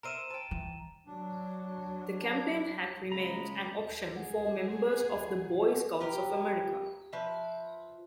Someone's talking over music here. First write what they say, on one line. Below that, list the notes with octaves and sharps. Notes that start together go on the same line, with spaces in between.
The campaign hat remains an option for members of the Boy Scouts of America.
A#4 C5 E5 A#5 D#7 E7
G5 A5
E3
F#3 D4
C#3 G#3 A#5 B5
G#4 F#5
G4 A#4 B4
F3 B4 E5